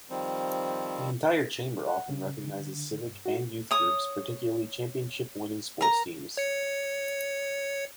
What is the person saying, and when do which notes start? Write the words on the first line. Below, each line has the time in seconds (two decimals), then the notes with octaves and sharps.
The entire chamber often recognizes civic and youth groups, particularly championship-winning sports teams.
0.10 D#3 F3 G3 C4
1.87 F#5
2.09 C#3
2.48 D3
2.67 D3
3.05 G2
3.26 F#4
3.71 C#5 D#6
5.81 A#4 A#5
6.37 C#5 C#7